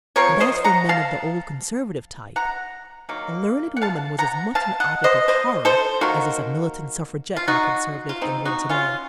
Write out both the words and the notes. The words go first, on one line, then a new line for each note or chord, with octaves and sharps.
And as for men of the old conservative type, a learned woman was as much an object of horror as is a militant suffragette in conservative England to-day.
F3 C4 A#4 C#5
C5 D#5
F#5 A#5
F5 A5
F#5 A#5
D#3 F#3 A#3
F#5
F5 A5
F#5 A#5
F5 A5
D#5 F#5
C5 D#5
C5 D#5
A4 C5
D#3 A#3 F#4 A#4
F4
D#4 F#4
F4
C4 D#4
D#4 F#4
C#4 F4